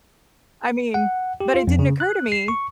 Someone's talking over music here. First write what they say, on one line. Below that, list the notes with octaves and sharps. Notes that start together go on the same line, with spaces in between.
I mean, but, it didn't occur to me,
F#5
G4
F4
F2
C#3
F#6
C7
C#6